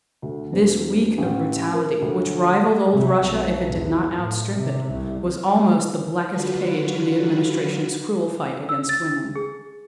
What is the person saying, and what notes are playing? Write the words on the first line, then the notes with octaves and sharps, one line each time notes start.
This week of brutality, which rivaled old Russia, if it did not outstrip it, was almost the blackest page in the Administration's cruel fight against women.
D2
E1
A1
A#4
D2
C3
B1
E2
A2
C3
C2
D3 F#3 F4 F#4 B4
E6
A6
G#4